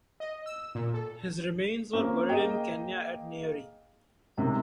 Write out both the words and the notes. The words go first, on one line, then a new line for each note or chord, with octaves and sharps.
His remains were buried in Kenya at Nyeri.
D#5
E6
A#2
A4
A#3 C4 C#4 F4
A#3 G#4 D#5 G5
C#2 F#2 A2 C3 D#3